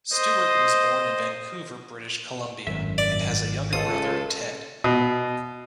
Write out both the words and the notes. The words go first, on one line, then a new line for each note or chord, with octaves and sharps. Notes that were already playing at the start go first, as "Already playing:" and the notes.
Stuart was born in Vancouver, British Columbia, and has a younger brother, Ted.
C5 D#5
G#1 F#2 A2 E5
D5
C#2 F4 A4 D#6
B2